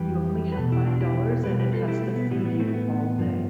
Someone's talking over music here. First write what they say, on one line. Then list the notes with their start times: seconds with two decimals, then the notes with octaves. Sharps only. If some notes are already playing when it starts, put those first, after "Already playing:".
You only have five dollars and it has to feed you all day.
Already playing: F2 E3 G3 G4 B4
0.52 B4
0.57 E2 B2 A4
0.72 E4 G4
0.86 D4 F4
1.00 E4 G4
1.44 B2 G3 G4 B4
1.59 G4 B4
1.73 F4 A4
1.88 E4 G4
2.02 A3
2.16 B3
2.31 A2 E3 G3 B3
2.45 B3
2.59 A3 C4
2.74 B3
3.18 G2 F3